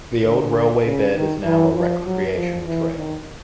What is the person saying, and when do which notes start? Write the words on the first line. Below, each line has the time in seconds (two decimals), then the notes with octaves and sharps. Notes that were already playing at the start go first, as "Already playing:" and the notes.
The old railway bed is now a recreational trail.
0.25 D3
0.85 C#3
1.15 D#3
1.45 E3
1.76 F3
2.06 F#3
2.36 F3
2.66 E3
2.96 D#3